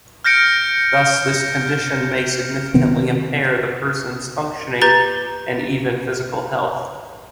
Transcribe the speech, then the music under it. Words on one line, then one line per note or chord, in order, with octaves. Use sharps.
Thus, this condition may significantly impair the person's functioning and even physical health.
F6 G6 A#6 C#7 D7
C3 D#3 B3 C4
G4 B4 A#5 G6 A6 G7